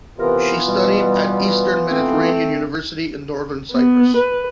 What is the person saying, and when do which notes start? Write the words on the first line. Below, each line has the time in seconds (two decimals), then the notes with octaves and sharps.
She studied at the Eastern Mediterranean University in Northern Cyprus.
0.19 C3 E3 B3 F4 A#4
0.68 B2 G3
1.90 A3 C4
3.73 B3
4.17 B4